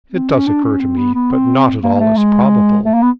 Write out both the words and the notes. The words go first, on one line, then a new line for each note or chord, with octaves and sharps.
"It does occur to me; but not at all as probable."
C4
C#4
D4
C#4
C4
B3
B3
C4
A#3
A#3
A3
G#3
A3
A#3
B3